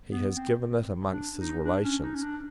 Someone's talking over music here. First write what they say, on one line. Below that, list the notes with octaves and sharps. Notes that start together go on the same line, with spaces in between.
He has given it amongst his relations.
B3
C4
D4
D#4
D4
C#4
D#4
C#4
D4